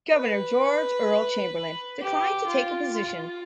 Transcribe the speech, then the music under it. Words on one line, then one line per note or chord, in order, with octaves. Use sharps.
Governor George Earle Chamberlain declined to take a position.
B4
G4
F4
F4